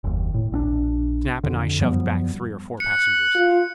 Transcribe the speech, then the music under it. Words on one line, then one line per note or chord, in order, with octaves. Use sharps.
Snap and I shoved back three or four passengers.
F#1 D#2
A2
A#1 C4 D4
F2 D3
F#2 F3 G3 B3
F#6 C#7
F4